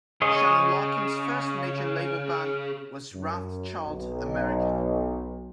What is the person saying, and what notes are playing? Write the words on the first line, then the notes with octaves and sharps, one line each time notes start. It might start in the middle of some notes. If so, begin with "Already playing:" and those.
Shannon Larkin's first major label band was Wrathchild America.
C#3 G#4 C#5 D#5
F#2
B1